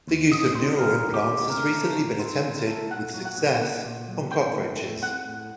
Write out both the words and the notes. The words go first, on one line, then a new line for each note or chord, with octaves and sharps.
The use of neural implants has recently been attempted, with success, on cockroaches.
D#2
D3 D#5
C4 C5
G3 A#4
D#2
G4
D3
A2 A#4
A3
A2
C4
A2
A3
A#2 F#5
F#3
F#5
A#2
A#3 F#5
A#2
F#3
A2 G5
A3
A2
C4 F#5
A2